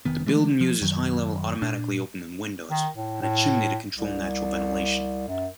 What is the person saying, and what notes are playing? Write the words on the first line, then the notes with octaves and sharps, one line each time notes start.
The building uses high-level automatically opening windows and a chimney to control natural ventilation.
F1 D#3 B3
E3 G#3 A3
F3
F#2 D#3 F#3
A#2 D4
D#3
A2
A2
C2
F#2